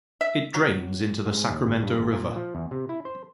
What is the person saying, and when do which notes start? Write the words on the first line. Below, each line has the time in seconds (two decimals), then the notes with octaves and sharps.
It drains into the Sacramento River.
0.21 E5
0.55 F#3
1.26 G#2
1.50 D#2
1.67 G#1
1.83 G2
1.98 G#1
2.13 A#2
2.36 F3
2.55 E2
2.71 C3
2.89 E4
3.05 C5